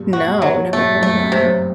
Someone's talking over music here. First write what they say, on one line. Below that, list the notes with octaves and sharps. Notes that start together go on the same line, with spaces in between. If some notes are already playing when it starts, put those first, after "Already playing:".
No, never heard of that.
Already playing: G2 A#2
F#4
G2 A#2
F#3
G2 A#2 A3
F#2 A2
A3
G2
C3
F#2